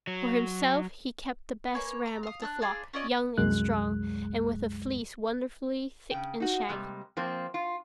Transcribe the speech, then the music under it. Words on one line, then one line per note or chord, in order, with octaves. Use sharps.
For himself he kept the best ram of the flock, young and strong, and with a fleece wonderfully thick and shaggy.
F#3
A#3 B4 C#5 G#5
A#5 D6
F5 D#6
D4 E6 F#6
D4 F4 G#4 D6
C#4 F4 D5 D#5
C2 F#2 G#3 F#6
C#3 G5
D#4 F#4
C3 G3 G#3 A#3
F3 A#3 C4
F4